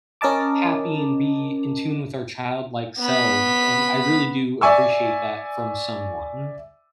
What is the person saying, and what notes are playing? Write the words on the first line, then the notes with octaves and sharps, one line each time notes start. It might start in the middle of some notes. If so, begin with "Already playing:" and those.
happy and be in tune with our childlike selves, and I really do appreciate that from someone.
C#4 A#4 D#5 A5 D6
B3 B5
D5 E5 G#5 C#6 E6